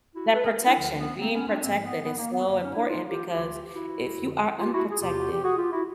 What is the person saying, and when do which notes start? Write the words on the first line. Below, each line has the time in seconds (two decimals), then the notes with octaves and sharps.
That protection, being protected is so important, because if you are unprotected,
0.13 E4 F#4
0.34 A4 B4
0.45 G#4 A#4
0.66 D4 E4
0.77 D2 D3 F3
0.98 B3 C#4
1.19 A#3 C4
1.33 B3 C#4
1.48 C4 D4
1.62 G#2 F3 A#3 C4
1.83 B3
2.04 B3
2.18 A#3
2.32 B3
2.46 F#2 D3 F#3 A#3
2.61 C#4 D#4
2.75 D4 E4
2.89 D#4 F4
3.10 F4 G4
3.32 D2 D3 F#3 F4 G4
3.74 E4 F#4
4.16 F2 D3 F3
4.59 F4 G4
4.74 E4 F#4
4.90 G#4
5.02 E2 C3 F3 F4 G4
5.18 F#4
5.32 G4
5.44 F#4 G#4
5.58 F4 G4
5.72 E4 F#4